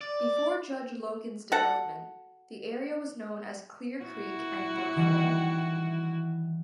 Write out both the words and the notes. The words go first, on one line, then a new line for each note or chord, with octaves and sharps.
Before Judge Logan's development, the area was known as Clear Creek and Brookville.
D5
F#4 A4 F#5
E4 F#4
D#3 E3 G3